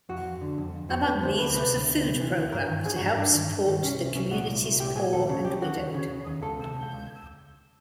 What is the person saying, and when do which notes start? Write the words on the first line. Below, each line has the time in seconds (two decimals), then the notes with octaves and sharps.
Among these was a food program to help support the community's poor and widowed.
0.09 F2 F#4
0.25 F2
0.41 D3
0.58 F2
0.73 F2
0.89 F2 F#4
1.06 F2 B4
1.23 D2 C5
1.39 D2 B4
1.55 C3 B4
1.72 D2
1.88 D2
2.04 C3
2.20 E3
2.37 D2
2.52 G2 A#4
2.69 D#3
2.85 G2 G#4
2.96 F#4
3.02 G2 D#4
3.17 G2 D4
3.34 D#3
3.50 G2
3.67 D#3
3.82 C2 C#4
3.99 C2
4.15 C2 C#4
4.31 A#2 F#4
4.48 C2
4.64 C2
4.80 A#2 G4
4.96 A#2 G#4
5.13 D#2 A4
5.29 C#3
5.45 C#3 G4
5.62 D#2 F#4
5.78 D#2
5.94 C#3
6.11 C#3
6.26 D#2
6.43 C#2 A4
6.59 C3
6.75 C#2
6.92 C#2